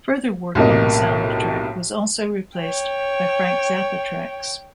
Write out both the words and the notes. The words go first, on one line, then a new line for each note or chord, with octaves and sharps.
Further work on the soundtrack was also replaced by Frank Zappa tracks.
B1 A2 C3 A#3 D#5
C#5 G5